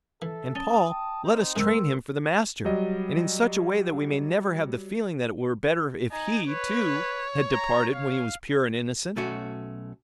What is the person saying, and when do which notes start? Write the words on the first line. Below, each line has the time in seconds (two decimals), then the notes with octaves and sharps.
And, Paul, let us train him for the Master and in such a way that we may never have the feeling that it were better if he, too, had departed when he was pure and innocent.
0.22 E3 A4 E5
0.55 C#4 A5 D#6 A6 G7
0.90 G5 A5
1.24 C4 D#4
1.56 G#2 C3 G#3 A#4 C6 E6
2.65 F#3 G3 D#5
6.11 D#4 G#5
6.48 B4 C#5
7.52 A#5
7.95 F5
9.16 B1 A3 C#4 F#4